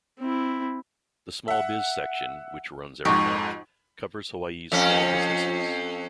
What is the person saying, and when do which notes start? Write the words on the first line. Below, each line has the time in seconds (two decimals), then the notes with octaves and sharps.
The SmallBiz section, which runs every month, covers Hawaii's small businesses.
0.19 C4 E4
1.48 E5 F#5
3.05 F2 G#2 D#4 F#4 G4
4.72 F2 C#4